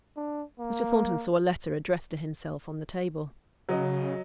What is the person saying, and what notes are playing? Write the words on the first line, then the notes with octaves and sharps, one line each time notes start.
Mr. Thornton saw a letter addressed to himself on the table.
D4
A#3
C#3 F#3 D#5